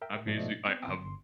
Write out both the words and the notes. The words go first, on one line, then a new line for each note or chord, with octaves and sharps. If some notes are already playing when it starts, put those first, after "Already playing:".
I musi I I've
A#4 E5 G5
G#2 B2 F3 A3 D5 D#5
B3 C4
G1 C6